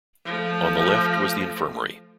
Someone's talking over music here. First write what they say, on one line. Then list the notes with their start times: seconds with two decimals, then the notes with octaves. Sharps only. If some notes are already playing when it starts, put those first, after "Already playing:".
On the left was the infirmary.
0.25 F3 A3